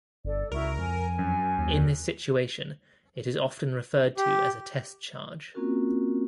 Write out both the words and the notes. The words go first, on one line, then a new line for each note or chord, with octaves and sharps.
In this situation it is often referred to as a test charge.
G1 A4 D5
C#2 E4 F#4 A#4
F2 G#5
F#2
D#2
G4
A#3 C4 C#4 F4 F#4 A#4